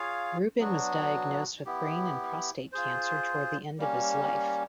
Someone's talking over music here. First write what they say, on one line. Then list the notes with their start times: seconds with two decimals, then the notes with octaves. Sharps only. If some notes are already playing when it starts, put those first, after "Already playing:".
Rubin was diagnosed with brain and prostate cancer toward the end of his life.
Already playing: F4 G#4 C#5 F5
0.59 F#3 B3 D4 F#4
1.66 B3 E4 G4
2.72 F4 G#4 C5
3.78 G3 A#3 C#4